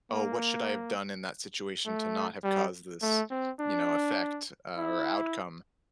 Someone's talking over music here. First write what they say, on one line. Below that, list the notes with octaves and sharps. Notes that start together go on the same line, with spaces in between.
"Oh, what should I have done in that situation to not have caused this, you know, effect, uh, or outcome?"
A#3
A3
G3
A3
C4
D4
E4